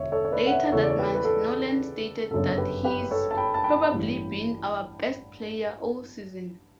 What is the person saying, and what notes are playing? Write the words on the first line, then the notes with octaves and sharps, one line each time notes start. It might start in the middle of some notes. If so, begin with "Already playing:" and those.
Later that month Nolan stated that "he's probably been our best player all season".
Already playing: E1 D3 C#5 E5
A4 C#5
C#5
B4 D5
F#5
C#5 E5
E2 C#3 E3 A4 C#5
D5
C#5
G4 B4
B4
A4
G1 F#2 C#3 A4
G4 B4
G4 B4
A4 C#5
A5
G5 B5
A5
G5 B5
A1 G2 E3